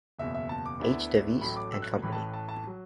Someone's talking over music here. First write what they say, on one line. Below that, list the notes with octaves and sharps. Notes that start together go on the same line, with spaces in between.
H. Davies and Company.
F#1 E2 B2 E5
E5
A5
D6
D2 D3 B3 E4
A1 A2 F#3 A3 B5
D6
E6
F#6
A1 A2 E3 B5
A5
A5
A5
F#3